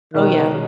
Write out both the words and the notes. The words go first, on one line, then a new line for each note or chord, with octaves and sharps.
Oh, yeah.
B2 D#3 G#3 C#4 F#4
B2 G#3 C#4